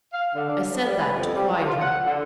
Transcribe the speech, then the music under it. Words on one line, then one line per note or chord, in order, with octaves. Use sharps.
I said that to quiet her.'
F5
D3
D4
F3
G3
B4
F2
G3
E3
F4
F#5
D3